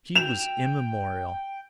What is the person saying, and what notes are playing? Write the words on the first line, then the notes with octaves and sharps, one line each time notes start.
She was immemorial....
G5 E7 F7